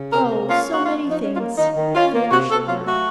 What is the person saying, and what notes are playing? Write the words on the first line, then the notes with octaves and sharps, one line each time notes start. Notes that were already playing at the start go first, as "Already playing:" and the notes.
"Oh--so many things!" Thea shivered.
Already playing: C#3
C3 A#4
A#3
C#4 F4
A#3
F#4
C#4 F4
F3
D#4
C#4
F4
A#3
D#3 D#4
D#3
C#4 F4
A#3
C3 F#4
C3 A4
F#3 F4
A3 F#4